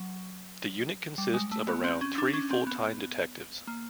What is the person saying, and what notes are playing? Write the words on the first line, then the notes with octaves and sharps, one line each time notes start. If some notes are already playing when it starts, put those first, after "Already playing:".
The unit consists of around three full time detectives.
Already playing: F#3
G3
G#3
A3
B3
C4
C#4
D4
C#4
C4
B3
A#3